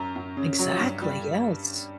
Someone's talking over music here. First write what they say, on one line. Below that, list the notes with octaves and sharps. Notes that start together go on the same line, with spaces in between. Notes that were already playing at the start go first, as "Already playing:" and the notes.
Exactly, yes.
Already playing: F#2 A#5
F#2
C#3
F#3
G2
G3